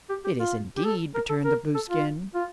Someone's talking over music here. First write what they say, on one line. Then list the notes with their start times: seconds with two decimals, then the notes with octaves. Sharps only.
"It is, indeed," returned the Blueskin.
0.09 G4
0.24 G4
0.39 F4
0.77 G4
0.85 A4
1.14 A#4
1.29 A4
1.44 A#4
1.74 A4
1.90 F4
2.34 F4